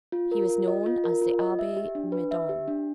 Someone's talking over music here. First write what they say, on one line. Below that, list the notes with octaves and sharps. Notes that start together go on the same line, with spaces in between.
He was known as the Abbe Midon.
F4
A#4
F4
D#5
F4
A#4
F4
D#5
E5
G4
D4
B4
E5
G4
D4